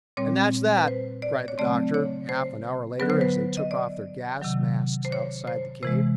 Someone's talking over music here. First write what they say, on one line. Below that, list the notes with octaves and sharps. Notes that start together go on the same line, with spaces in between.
"And that's that!" cried the doctor half an hour later as they took off their gas masks outside the cave.
A#2 G3 C4 C#5
B4
C5
D5
C#5
C#3 F#3 A3 C4 D5
C#5
C5
D3 F#3 B3 B4
C5
B4
D#5
D5
C3 D#3 F#3
C5
C#5
C5
C3 E3 G#3 C5